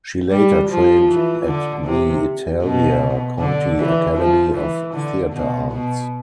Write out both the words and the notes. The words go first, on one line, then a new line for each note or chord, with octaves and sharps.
She later trained at the Italia Conti Academy of Theatre Arts.
G3
F3
E3
D3
C3
B2
D3
E3
F3
E3
D3
B2
B2